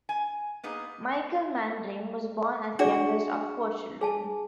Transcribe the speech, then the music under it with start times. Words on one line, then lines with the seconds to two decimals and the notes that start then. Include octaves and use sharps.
Michael Manring was born as youngest of four children.
0.09 G#5
0.63 A#3 B3 D#4 G#4
2.79 D4 F#4 G#4 D5
4.01 G#4 G#5 A5